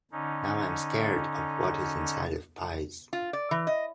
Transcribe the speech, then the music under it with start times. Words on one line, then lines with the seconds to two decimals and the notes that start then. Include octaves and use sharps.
Now, I’m scared of what is inside of pies.
0.12 D3 C#4 D#4
3.13 F4
3.33 D5
3.51 E3
3.67 D#5